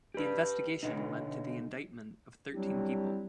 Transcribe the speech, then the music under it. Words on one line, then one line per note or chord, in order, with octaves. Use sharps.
The investigation led to the indictment of thirteen people.
G4 B4
B2 D3 D#4
F#3 G3 C4 D4 E4 G4